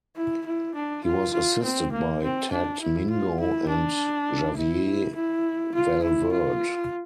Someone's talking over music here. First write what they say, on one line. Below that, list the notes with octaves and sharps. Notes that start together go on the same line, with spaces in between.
He was assisted by Tadd Mingo, and Javier Valeverde.
E4
E4
D4
F4
F4
C4
A#3
C4
D4
E4
F4
E4
D4
E4
E4
F4
E4
F4